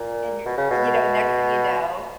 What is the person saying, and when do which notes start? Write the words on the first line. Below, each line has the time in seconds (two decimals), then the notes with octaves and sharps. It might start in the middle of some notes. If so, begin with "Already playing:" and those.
And you you know, next thing you know
Already playing: A#2
0.46 B2
0.58 C#3
0.70 B2